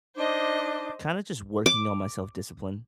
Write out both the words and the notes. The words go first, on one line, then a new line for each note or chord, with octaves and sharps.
kinda just working on my self-discipline.
D4 D#4 C5 D#5 D6
D6